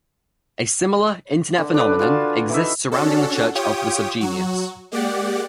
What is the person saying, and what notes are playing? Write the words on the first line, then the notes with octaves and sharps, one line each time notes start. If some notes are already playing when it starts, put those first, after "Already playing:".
A similar Internet phenomenon exists surrounding the Church of the SubGenius.
D3
D4 A4 B4
F4 F#4 G#5 A5
E3 D#4 E5
C#4 D4 F#4 A4
F4 G4 C#5 G5 D#6
F#3 F#4
G#3 A#3 G4 D5 F#5